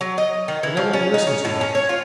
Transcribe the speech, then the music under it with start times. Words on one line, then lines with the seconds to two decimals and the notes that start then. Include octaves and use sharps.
But no one will listen to me.
0.01 F#3
0.18 D#5
0.48 D#3
0.63 E3
0.77 F3
0.93 C#4
1.14 D#4
1.27 C#4
1.45 A2
1.61 C#4
1.75 C#5
1.89 F4